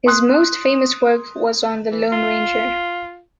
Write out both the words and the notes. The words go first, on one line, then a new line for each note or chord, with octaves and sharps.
His most famous work was on "The Lone Ranger".
C6 D#6 F#6
E3
F4